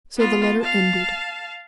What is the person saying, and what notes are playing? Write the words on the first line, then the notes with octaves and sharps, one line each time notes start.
So the letter ended.
B3 F4
F5 A5